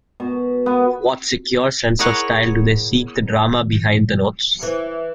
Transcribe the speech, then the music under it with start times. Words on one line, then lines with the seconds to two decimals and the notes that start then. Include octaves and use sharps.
With what secure sense of style do they seek the drama behind the notes.
0.20 B2
0.66 B3
1.99 E4 G#4 A#4 C#5 F#5
4.63 E3